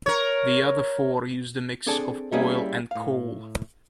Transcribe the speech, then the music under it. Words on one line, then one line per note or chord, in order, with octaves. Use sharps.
The other four used a mix of oil and coal.
A#4 C#5
C4 D4 G#4 A4 D5 A5
G3 A#3 C#4 E4 G#4
A2 F5